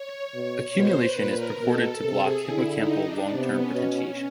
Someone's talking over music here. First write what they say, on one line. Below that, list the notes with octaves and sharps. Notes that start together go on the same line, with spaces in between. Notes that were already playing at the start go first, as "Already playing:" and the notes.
Accumulation is purported to block hippocampal long-term potentiation.
Already playing: C#5
B2
B2 C5
B4
A#2
A#4
B2 A4
A4
C3
G#4
D3 E4
D#4
D4
C3 B3
C#4
B2
C#4